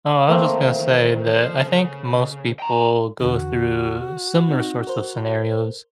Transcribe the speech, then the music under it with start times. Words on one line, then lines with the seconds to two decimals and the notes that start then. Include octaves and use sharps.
Oh, I was just gonna say that I think most people go through similar sorts of scenarios
0.29 D#3 E3 A3 A#3 C4
1.36 F3 C5
1.67 C#3
2.60 G5 A#5
3.20 E2 D3 F#4
4.49 C4 D#4
4.87 A#4 C5